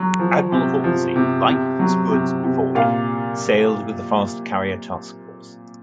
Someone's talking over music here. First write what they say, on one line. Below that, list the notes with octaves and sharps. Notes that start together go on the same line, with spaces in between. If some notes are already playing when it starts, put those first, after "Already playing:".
Admiral Halsey, like Spruance before him, sailed with the Fast Carrier Task Force.
Already playing: F#3
F3
C3
F3
C3
C3
F#3
C3
C3
A#2 F5